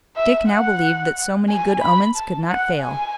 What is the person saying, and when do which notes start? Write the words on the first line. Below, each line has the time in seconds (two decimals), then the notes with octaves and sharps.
Dick now believed that so many good omens could not fail.
0.17 E5
0.50 F#5
1.49 G#5
1.82 B5
2.15 A5
2.48 F#5
2.82 G#5